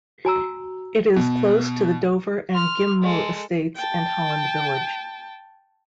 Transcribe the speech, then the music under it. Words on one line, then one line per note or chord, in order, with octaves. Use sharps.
It is close to the Dover and Ghim Moh estates, and Holland Village.
F#4 G#5 A#5 E6
B2
C6 F6
G#3 A4
G5 A5